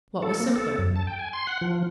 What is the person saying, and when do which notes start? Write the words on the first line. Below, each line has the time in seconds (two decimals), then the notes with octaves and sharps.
What was simpler?
0.22 A4
0.40 A#3
0.56 A4
0.78 F#2
0.96 A5
1.07 G5
1.19 G#5
1.33 C6
1.47 F#5
1.61 F3